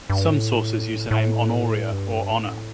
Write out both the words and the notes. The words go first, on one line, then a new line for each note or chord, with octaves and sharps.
Some sources use the name "Honoria" or "Honor".
G2
A2
A2
G2
A2